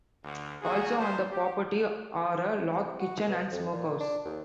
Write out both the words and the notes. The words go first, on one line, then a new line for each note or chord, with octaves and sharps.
Also on the property are a log kitchen and smokehouse.
D2
D#2 F#4 G#4
G2 G3 C5
G4
C3
F#4
B2
F2
A#2
D4
D#2